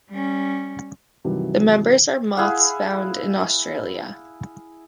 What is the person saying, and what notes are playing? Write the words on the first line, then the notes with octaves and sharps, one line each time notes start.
The members are moths found in Australia.
G3 C#4
G2 C3 D#3 E3 F#3
E4 G#4 F5 F#5